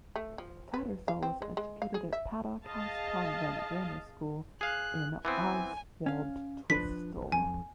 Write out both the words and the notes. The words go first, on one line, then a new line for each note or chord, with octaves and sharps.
Tattersall was educated at Paddock House Convent Grammar School in Oswaldtwistle.
A3
F3
B4
F5
C4
G#3
G#3
F5
G#4
E5
G#4 D#5 F5 A5
G#4 F5 F#6
E3 B3 C4 G#5
C#4 F5
F3 D4 B4 B6
F2 G#5